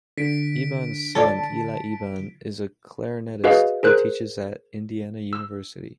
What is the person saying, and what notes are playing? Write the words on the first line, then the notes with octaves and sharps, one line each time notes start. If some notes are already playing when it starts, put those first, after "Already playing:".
Eban's son, Eli Eban, is a clarinetist who teaches at Indiana University.
D3 B6 D7
A4 C#5 D5 A5
F#4 G#4 B4 D#5 F5
G#4 A#4 C5 F#6
E6